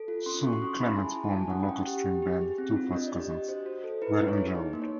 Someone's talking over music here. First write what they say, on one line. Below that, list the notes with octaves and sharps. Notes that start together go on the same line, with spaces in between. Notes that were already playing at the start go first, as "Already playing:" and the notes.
Soon, Clements formed a local string band with two first cousins, Red and Gerald.
Already playing: A4
F4
C#4 C6
F#4 C#6
C6
C#4
E4 B5
G#4 G#5
A5
E4
A5
F#4 G#5
C#4 F#5
G5
C#4
G4
G4
G4
G#4
C4
F4
D4 D#5
G4 D5
D#5
G4
F#4 C5
F#4
A4
E4 B4
E4
C#5
G#4
D#4
A#3
C#5